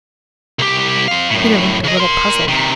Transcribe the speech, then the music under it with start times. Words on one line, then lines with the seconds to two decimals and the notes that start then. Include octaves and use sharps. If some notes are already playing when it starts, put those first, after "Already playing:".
Peter looked a little puzzled.
0.59 C2 G4
1.08 C4 F5
1.30 F#2 A2
1.84 C#3 D#5
1.97 A#4 C6
2.48 C3 D#3